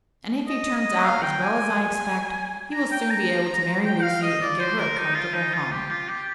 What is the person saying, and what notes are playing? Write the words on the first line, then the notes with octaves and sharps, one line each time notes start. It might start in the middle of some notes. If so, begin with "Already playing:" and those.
And if he turns out as well as I expect, he will soon be able to marry Lucy and give her a comfortable home.
D#5
D#5
F5
G5
G#5
A#5
G5
A#5
G5
F5
D#5
D5
C5
A#4
D#4
F4
D#4
F4
G4
F4
G4